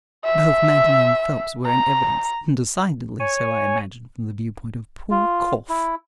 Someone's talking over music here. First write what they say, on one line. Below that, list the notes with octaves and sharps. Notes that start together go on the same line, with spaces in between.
Both Manton and Phelps were in evidence, decidedly so, I imagined, from, the viewpoint of poor Kauf.
E5
A#5
C#5 G#5
F4
E4